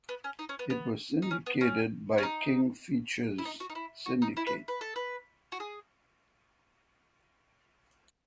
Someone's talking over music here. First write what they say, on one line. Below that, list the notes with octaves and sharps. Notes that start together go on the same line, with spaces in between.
It was syndicated by King Features Syndicate.
B3
C#4
D#4
C#4
B3
B3
D#4
C#4
B3
C#4
C#4
D#4
E4
D#4
F#4
D#4
E4
F#4
D#4
E4
B4
B4
A4
B4
F#4
G#4